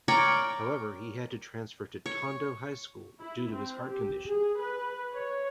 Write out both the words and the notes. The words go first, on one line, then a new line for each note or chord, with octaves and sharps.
However he had to transfer to Tondo High School due to his heart condition.
A#4 C#5 D5 G5
C#5
E4
C4
G4
G#4
B4
C#5